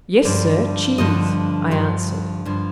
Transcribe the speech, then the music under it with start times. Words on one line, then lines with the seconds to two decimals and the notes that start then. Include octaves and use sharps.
"Yes, sir, cheese," I answered.
0.24 G2 D3 F3 D5
0.98 G2 D3 F3 D#5
1.71 G2 D3 F3
2.45 G2 D3 F3